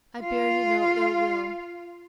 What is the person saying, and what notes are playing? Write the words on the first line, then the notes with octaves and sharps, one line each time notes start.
I bear you no ill-will.
F4 F5